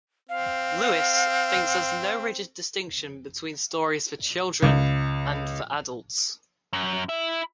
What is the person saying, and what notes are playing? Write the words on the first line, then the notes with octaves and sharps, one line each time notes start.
Lewis, thinks there is no rigid distinction between stories for children and for adults.
C4 F5
C#2
F#2
E4